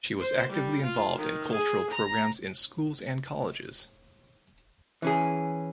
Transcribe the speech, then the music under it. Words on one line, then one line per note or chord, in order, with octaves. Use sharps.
She was actively involved in cultural programmes in Schools and Colleges.
C5
G3
F4
D#3
G#4
A#5
E3 C#4 G#4